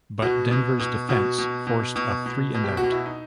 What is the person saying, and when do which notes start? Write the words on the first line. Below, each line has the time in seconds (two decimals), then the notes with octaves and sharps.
But Denver's defense forced a three-and-out.
0.22 B2 F#4
0.51 B2
0.80 B2
1.09 B2 F#4
1.38 B2
1.67 B2
1.96 B2
2.26 B2
2.54 B2
2.64 G4
2.77 F#4
2.83 B2
2.92 E4
3.06 D#4